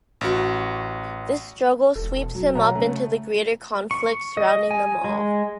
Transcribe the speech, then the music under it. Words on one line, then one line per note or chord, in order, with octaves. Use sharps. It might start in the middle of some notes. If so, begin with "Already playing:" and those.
This struggle sweeps him up into the greater conflict surrounding them all.
A1 F#4
E1 A4
F#3
B2 C#5 F#5 A#5
C#3 A3
C#6
D#5
G#5
G#3